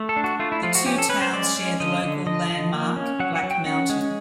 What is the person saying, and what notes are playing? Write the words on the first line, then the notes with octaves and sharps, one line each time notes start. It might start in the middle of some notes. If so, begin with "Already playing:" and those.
The two towns share the local landmark Black Mountain.
Already playing: A3
A4
D4
F#4
A3 F4
E4
F3 F4
F#4
C#4 G4
A4
C#4 B4
C5
G#3 D5
C#4
D3 D#5
D3
D3 D#5
F3
A#3
C#4
F#3 F#5
F#5
F#3
G5
C#4 F#5
G#3